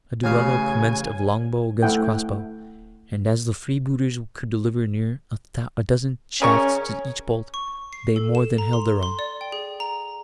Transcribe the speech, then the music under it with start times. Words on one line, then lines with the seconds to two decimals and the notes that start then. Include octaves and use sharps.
A duello commenced of longbow against crossbow; and as the freebooters could deliver near a dozen shafts to each bolt, they more than held their own.
0.24 A1 C#3 F5 G#5
1.83 A3 E4 F#5 G5
6.42 C#3 C#4 A#4 C#6
7.54 C#6
7.93 C7
8.16 A4
8.35 E7
8.58 A#5
8.73 C6
9.03 C6
9.19 D5
9.41 G5
9.52 G#4
9.80 A#5